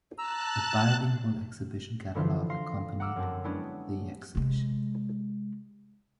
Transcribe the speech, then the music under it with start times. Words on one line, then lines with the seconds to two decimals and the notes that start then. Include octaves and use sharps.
A bilingual exhibition catalogue accompanied the exhibition.
0.18 A5 A#5 E6 F#6
2.15 D3 E3 F3 E4 F4 C5
2.50 F5 C6 A#6 C7
3.00 F#5 A#5 D6 E6 F6
3.16 F#2 C4 A5
3.44 F#3 G#3 B3 C#4 D4 E4
4.35 C3 G#3